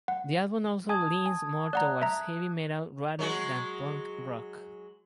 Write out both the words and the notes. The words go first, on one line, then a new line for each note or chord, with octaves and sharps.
The album also leans more towards heavy metal rather than punk rock.
F#5
G#5 A5 D#6 G#6
G#5
D5 F#5 A#5 F#6
E5 A#5
F#3 G#3 F#4